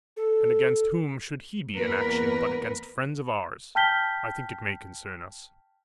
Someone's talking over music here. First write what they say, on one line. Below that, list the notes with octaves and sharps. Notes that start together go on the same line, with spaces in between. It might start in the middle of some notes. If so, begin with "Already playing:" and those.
And against whom should he be in action but against friends of ours I think it may concern us.
A4
E2 A#3 A#4 B4
G5 A5 F6 G6 B6 G7